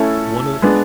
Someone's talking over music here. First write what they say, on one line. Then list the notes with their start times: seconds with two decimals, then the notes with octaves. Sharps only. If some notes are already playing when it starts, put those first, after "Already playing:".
one of
Already playing: A3 C#4 E4 A4
0.62 G#3 B3 D4